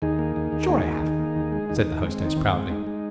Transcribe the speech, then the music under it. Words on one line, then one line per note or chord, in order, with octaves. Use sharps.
"Sure I have," said the hostess proudly.
D#2 D#4 G#4
A#3
D#2
D#2
A#4
A#3 D#4 G#4
D#2
D#3
A#3
D#2
G#3
D#2 D#4
D#2
G#3 C4
D#3
D#4
D#2 C4
G#3
G#3 D#4
G#3